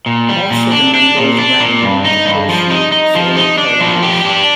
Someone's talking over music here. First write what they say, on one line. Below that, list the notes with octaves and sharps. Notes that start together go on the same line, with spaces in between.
Most of the members went on to pursue solo careers.
A#2
G3
A#2
D4
D4
A#2
D4
A#2
G2
D#4
G2
F3
D#4
D#4
F3
D#4
D4
F3
G4
D4